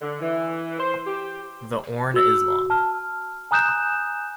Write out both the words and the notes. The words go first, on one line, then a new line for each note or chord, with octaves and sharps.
The Orne is long.
D3
E3
C5
G4
F#4 E6
A5 F6
G#5 A#5 D#6 F#6 G6 E7